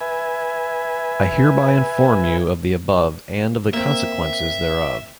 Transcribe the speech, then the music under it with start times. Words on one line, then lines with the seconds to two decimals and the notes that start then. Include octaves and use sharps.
I hereby inform you of the above and of the consequences thereof.
0.01 B4 E5 G#5
3.74 A#3 C4 E5